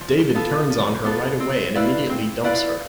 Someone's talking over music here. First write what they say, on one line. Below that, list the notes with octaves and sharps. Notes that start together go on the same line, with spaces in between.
David turns on her right away and immediately dumps her.
F3
B3 F4 A4
F3
B3 F4 A4
C4
E4 B4 D5 F5
C4
E4 B4 D5 F5